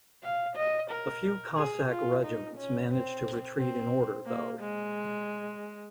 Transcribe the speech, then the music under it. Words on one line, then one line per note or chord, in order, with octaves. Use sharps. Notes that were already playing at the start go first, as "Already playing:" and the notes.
A few Cossack regiments managed to retreat in order though.
F5
D#5
A#4
G#4
F4
D#4
C#4
C4
C4
A#3
G#3